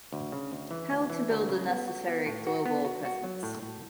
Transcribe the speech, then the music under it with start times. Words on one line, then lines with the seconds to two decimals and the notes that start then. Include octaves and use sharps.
How to build the necessary global presence?
0.12 D2
0.32 C#3
0.52 D2
0.71 E3
0.91 D2
1.10 E3
1.30 D2
1.49 C#3
1.69 B3
1.88 F#4
2.08 B3
2.26 A2
2.47 F#4
2.66 B3
2.85 F#4
3.05 F#4
3.24 F#3
3.43 A2
3.62 A2